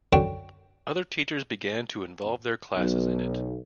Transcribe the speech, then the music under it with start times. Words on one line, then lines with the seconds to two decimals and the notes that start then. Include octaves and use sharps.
Other teachers began to involve their classes in it.
0.13 F#2 D3 D4 G5 C#6
2.76 B1